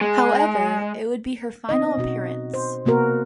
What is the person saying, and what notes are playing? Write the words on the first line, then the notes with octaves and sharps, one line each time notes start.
However, it would be her final appearance.
G#3
B3 C4 D#4 D#5
B2 C#4 F#4
C5
C3 A#3 B3 F#4 A#4